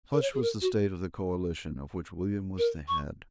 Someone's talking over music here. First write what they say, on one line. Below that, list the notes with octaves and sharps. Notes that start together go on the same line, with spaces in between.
Such was the state of the coalition of which William was the head.
A#4
C#5
G#4
A#4
F#4
A#4
C#6